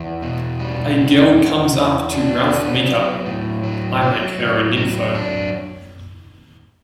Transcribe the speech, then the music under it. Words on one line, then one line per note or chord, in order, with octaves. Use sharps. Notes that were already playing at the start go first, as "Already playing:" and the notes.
A girl comes up to Ralph Meeker, I make her a nympho.
Already playing: E2
B2
G3
E2
E2
E2
D4
B3
F#3
A2
F#3
F#3
A2
F#3
D4